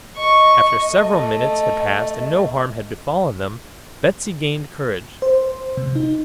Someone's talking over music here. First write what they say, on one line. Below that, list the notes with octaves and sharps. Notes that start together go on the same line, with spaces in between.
After several minutes had passed and no harm had befallen them, Betsy gained courage.
D#5 C#6
A3
C5
C3
D#4